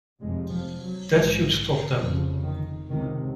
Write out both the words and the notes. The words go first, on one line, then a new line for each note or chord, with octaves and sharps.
That should stop them.
F1 F2 C3 G#3
F3
F#3
A#1 G#2 G#3
F1 F2 C#3 F3
D#3
C#2 C3 D#3